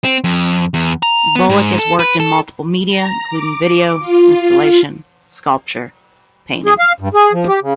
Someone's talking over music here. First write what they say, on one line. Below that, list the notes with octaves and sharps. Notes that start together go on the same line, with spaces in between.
Bulloch has worked in multiple media, including video, installation, sculpture, painting.
C4
F2
E2
A#5
B3
G#2
A4
B4
A4
A#5
D6
F4
G#4
F5
G2
G#4
F3
G4
C#3